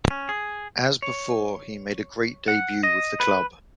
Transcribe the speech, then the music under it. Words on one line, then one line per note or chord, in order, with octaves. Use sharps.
As before, he made a great debut with the club.
C#4
G#4
C#5
F#5
D#5
B4